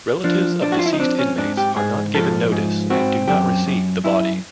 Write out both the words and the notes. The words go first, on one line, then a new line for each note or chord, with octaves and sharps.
Relatives of deceased inmates are not given notice and do not receive the body.
F3 D4
F3 D4
F#4
F4
E4
D#4
C4 D4
C#4
G#2 D4
G4
G#2 G#4
F3 A4
G#2
C4 F#4
F#2 G4
F#2
F#2 E4